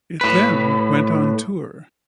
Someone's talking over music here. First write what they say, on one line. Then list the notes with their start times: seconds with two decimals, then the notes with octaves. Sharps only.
It then went on tour.
0.21 A2 B4